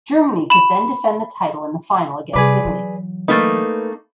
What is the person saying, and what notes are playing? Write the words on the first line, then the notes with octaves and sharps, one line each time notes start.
Germany could then defend the title in the final against Italy.
B5 E7
C3 G3 G#4 B4 D5
E3 F#3
A3 A#3 D#4 B4